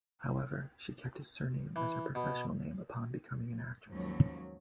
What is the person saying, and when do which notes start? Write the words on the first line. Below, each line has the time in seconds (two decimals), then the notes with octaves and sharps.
However, she kept his surname as her professional name upon becoming an actress.
1.76 E3
2.15 B2
3.88 D#2 G#2 F3 F#3 C#4